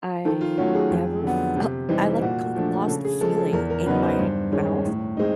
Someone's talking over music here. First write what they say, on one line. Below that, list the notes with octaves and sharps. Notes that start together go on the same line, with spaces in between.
I never fel I like co lost feeling in my mouth
D#3 A4
F4
F#3 A3 C#4 F#4
G#4
F2
D3 F#3 B3
C3
E3 G3 C4 D#4
A#2 F#4
F3 A3 D4
C#3 A4
G#4
F3 G#3 A4
A4
E2 A#4
A#4
C#3 F#3 B3 D#4 B4
C5
G2
D#3 G#3 C#4
A2
G#3 C4 D#4